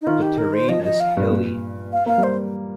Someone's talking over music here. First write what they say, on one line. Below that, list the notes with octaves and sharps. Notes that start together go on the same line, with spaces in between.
The terrain is hilly.
D#4
D#3 F4
G4
A#4
C5
F3 D#5
D#5
F5
G2
A#2
F5
A#3 F5
G3
C5